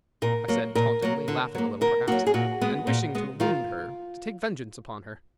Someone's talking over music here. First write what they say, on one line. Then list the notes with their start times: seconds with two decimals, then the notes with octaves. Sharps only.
I said tauntingly, laughing a little perhaps, and wishing to wound her, to take vengeance upon her.
0.22 A#2 A#4
0.48 F#3 A#3
0.75 A#2 A#4
1.02 F#3 A#3
1.28 D3
1.55 F#3 A#3
1.81 D3 A#4
2.07 F#3 A#3 F#4
2.27 G#4
2.34 A#2 F#4
2.61 G#3 B3
2.87 A#2
3.15 G#3 B3
3.40 D#3 F4